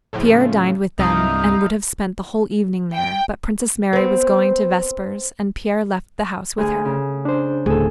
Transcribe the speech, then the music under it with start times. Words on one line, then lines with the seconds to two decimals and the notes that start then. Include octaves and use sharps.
Pierre dined with them and would have spent the whole evening there, but Princess Mary was going to vespers and Pierre left the house with her.
0.13 A2 C#3 F3
0.99 C2 G2 D#4 E4 F5 A#5 D#6 G6
2.95 G5
3.93 B3 C4
6.58 D2 G#4
6.85 C#3
7.25 D4 C5
7.66 D1 G#4 A4